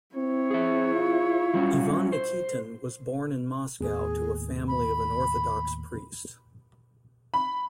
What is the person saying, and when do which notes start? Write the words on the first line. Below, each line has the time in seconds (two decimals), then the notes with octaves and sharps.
Ivan Nikitin was born in Moscow to a family of an Orthodox priest.
0.15 C4 E4 C#5
0.51 G#4 E5
0.95 F4
1.54 F#3 G3 C#4
2.12 C5
3.80 D#2 A2 B3 G#4
4.68 B5
7.34 B5